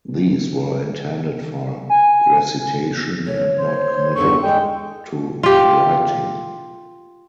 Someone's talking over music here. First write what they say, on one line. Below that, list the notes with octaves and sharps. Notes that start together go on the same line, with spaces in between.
These were intended for recitation, and not committed to writing.
G#5
C#5
C5
E2 G2 A4 C#6
G#3 G5
F4 G4